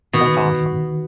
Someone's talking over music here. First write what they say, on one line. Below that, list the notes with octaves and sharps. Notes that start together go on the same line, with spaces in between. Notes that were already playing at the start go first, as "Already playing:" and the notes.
That's awesome.
B2 D#3